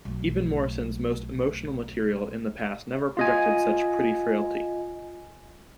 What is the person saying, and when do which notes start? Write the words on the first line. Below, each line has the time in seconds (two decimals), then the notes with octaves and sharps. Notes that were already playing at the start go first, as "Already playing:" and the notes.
Even Morrison's most emotional material in the past never projected such pretty frailty.
0.05 B1 A3
3.17 F4 D#5 G#5